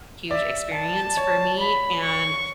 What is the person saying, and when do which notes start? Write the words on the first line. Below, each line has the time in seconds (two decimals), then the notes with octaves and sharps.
huge experience for me, and
0.30 D5 E5
0.74 A5
1.17 C#5
1.60 B5
2.04 C#6